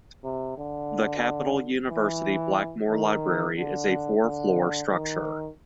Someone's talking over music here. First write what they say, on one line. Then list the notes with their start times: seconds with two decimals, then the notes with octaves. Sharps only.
The Capital University Blackmore Library is a four-floor structure.
0.24 C3
0.58 D3
1.90 E3
2.90 D#3
3.56 D3
4.23 D3
4.90 D#3